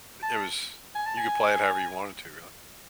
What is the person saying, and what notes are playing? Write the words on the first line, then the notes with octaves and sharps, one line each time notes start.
It was you could play it however you wanted to, really.
A5
G#5
A5
G#5